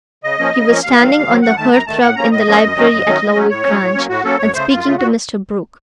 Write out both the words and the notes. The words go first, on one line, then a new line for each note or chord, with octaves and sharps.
He was standing on the hearth-rug in the library at Lowick Grange, and speaking to Mr. Brooke.
C#3 D#5
F3 A#3 C#4
C#3
F3 A#3 C#4
D#2 F5
D#3 F#3 C4
D#2
D#3 F#3 C4
F#2 F#5
D#3 A3 A5
F#2 A#5
D#3 A3 A5
A2 F#5
F3 A#3 C#4 A#5
A2 D#5
F3 A#3 C#4
F#2
D#3 F#3 A3 C#4
F#2
D#3 F#3 A3 C#4
A2
F#3 A3 C#4
A2 C#5
F#3 A3 C#4
A2
F#3 A#3 C#4
A2 F#4
F#3 A#3 C#4 A4
F#2 C#5
C#3 A3 C5
F#2 F4
C#3 A3
A#2 F#4